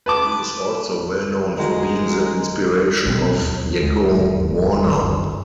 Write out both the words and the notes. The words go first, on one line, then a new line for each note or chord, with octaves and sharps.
He is also well known for being the inspiration of Yakko Warner.
B4 A5 D6
D#3 G#3 D#4 F#4 A#4
A#1 B2 C4
D#2
D2 G#3
E1 D#2 G#2
C2 F#2 D#3